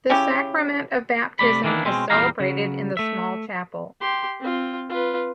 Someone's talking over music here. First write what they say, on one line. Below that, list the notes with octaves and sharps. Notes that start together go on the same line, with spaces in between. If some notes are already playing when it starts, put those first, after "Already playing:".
The sacrament of baptism is celebrated in the small chapel.
C#3 C#4 E4 G4
C3 A3 D5 B5
D#3 E3 A#3 D4 E4
B2 G#3 C4 C#4
E2 A#2 G3 G4 F5 A#5
C#3 F#3
A3 E5
G4 C6
C4 F4
F4 B4